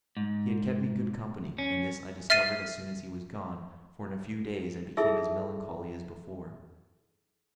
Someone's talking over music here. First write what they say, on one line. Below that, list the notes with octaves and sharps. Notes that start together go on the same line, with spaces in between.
He had kept me good company, and this I discovered as soon as he was gone, for in a few days I became as melancholy as before.
G#2
C#4
E5 F6 A6 C7 D#7
D#4 E4 G#4 A4 E5 E6